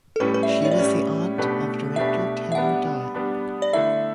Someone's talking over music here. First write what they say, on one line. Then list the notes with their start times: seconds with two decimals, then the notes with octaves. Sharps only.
She was the aunt of director Tamara Dawit.
0.16 A4
0.20 A2 G3 C#4 B4
0.34 B4
0.43 E5
0.49 D5
0.65 C#5
0.71 D5
0.79 A2 G3 C#4 C#5
1.38 B2 A3 D4 G4 B4
1.96 B2 A3 D4 G4 B4 E5
2.52 E5
2.55 G3 B3 D4 F#5
3.14 G3 B3 D4
3.62 D5
3.73 D3 A3 E4 A4 E5